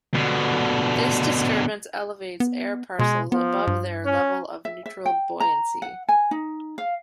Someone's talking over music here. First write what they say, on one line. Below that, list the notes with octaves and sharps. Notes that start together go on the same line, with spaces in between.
This disturbance elevates air parcels above their level of neutral buoyancy.
B2 D3
B3
B2 G#3
F3 B3
G2
C#4
E5
E5
G5
A#5
F#5
G#5
D#4
F5